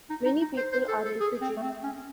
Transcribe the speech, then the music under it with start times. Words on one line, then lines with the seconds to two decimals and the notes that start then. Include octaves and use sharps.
Many people are in Fiji.
0.10 D#4
0.25 D#4
0.42 D#4
0.57 C5
0.73 C5
0.88 A4
1.05 A4
1.20 G#4
1.41 C4
1.57 A3
1.62 C4
1.83 C#4